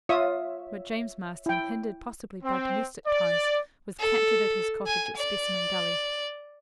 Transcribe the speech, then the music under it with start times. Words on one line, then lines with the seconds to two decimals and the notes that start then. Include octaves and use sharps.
But James Marston, hindered possibly by domestic ties, was captured at his cottage at Specimen Gully.
0.09 F4 C#5 E5 D#6
1.46 E4 G5
2.43 C4
3.07 D5
3.99 A4
4.86 G#5
5.16 D5